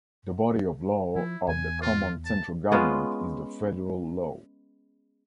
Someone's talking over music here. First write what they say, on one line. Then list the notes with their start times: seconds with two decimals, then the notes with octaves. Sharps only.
The body of law of the common central government is the federal law.
1.15 F3 E4
1.48 E2 G#5
1.82 F4
2.25 A5
2.72 G#3 B3 C#4 F4